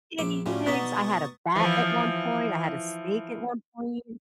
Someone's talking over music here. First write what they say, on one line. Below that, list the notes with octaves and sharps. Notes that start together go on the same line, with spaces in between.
guinea pigs. I had a bat at one point, I had a snake at one point
A#1 E5 D6
A2 G3 A3 C#4 F4 F#4 D5
B2 D4 D#4 F#5 C#6 D#6 A6 B6
E3 F3